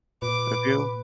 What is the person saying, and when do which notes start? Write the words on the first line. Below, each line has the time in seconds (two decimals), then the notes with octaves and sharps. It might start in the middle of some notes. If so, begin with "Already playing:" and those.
Have you
0.22 A#2 B4 D6